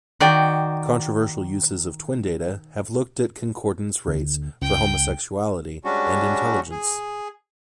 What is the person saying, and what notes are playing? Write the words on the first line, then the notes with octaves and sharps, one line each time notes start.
Controversial uses of twin data have looked at concordance rates for homosexuality and intelligence.
D#3 F#4 D5 G5
D2
C#2 G5
G3 G#3 C#4 D4 F#4
G#4